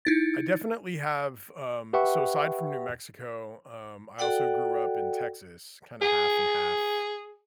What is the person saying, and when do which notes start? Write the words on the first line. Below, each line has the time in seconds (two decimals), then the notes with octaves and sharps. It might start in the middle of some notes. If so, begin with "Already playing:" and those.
I definitely have, um so aside from New Mexico, um, I also grew up in Texas kinda half and half.
0.05 D#4 E4 A6
1.93 G4 B4 E5 F#5 G5 C#6
4.19 F#4 A4 D5 F#5 G5
6.02 G#4